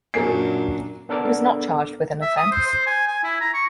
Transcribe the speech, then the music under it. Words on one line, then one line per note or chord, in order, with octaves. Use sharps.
He was not charged with an offense.
F#2 A#2 D4 A#4 G#5 C7
B3 D4 A4 A#4 D5 D6
E5
D#6
C5
C5
G#5
G#5
E4
A#5
C#6